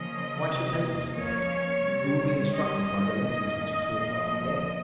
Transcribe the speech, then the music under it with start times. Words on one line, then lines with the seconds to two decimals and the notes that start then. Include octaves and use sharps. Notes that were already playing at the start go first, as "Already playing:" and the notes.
Why should they be spared? Who will be instructed by the lessons which are taught after death?
Already playing: C#3 F3 A#3 C#4 D#5
0.43 C3 D#3 A#3
1.13 F3 A#3 C#4 C#5
1.84 C3 G3 C4
2.53 D#3 G3 C#4 D#5
3.24 D#3 A#3 C#4
3.95 A#2 F3 A#3